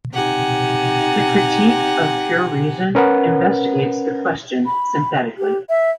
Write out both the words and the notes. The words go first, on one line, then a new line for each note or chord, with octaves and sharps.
The "Critique of Pure Reason" investigates this question synthetically.
C4 D#4 G4 F#5 G#5
C#4 A#4 B4 F#5
B5
G4
E5